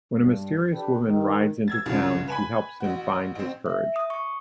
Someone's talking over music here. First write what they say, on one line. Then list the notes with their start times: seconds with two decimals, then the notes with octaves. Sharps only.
When a mysterious woman rides into town, she helps him find his courage.
0.20 G2
0.73 D4 G4 A4 B4 G5
1.07 D#3
1.68 E6 G#6 A6
1.86 C2 G2 C#3 F3
2.28 B4 G#5 B5
2.80 A1 F#4
3.35 A1 C4
3.66 E5
3.96 D#6
4.10 C#6